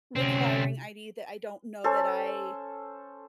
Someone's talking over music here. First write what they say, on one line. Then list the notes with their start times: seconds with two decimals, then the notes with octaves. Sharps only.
requiring ID that I don't know that I
0.16 D2 C3 C4 C#4
1.84 C#4 A4 C5